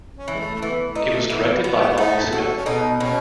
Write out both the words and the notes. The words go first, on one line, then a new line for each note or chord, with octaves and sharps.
It was directed by Molly Smith.
C#4
E3
G#3
A3
A3
E3 B3
A3
D#4
A3
E3 B3
B3
F#4
E4
A3 D#4
F#4 A4
C#4
B2 D#4
B2 C#4